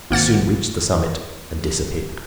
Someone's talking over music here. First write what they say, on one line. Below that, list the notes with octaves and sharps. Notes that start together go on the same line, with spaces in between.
He soon reached the summit, and disappeared.
G#1 A#3 F#5 A6